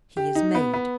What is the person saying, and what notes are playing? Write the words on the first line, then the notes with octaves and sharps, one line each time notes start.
He is made.
G4
D#4
B3
B3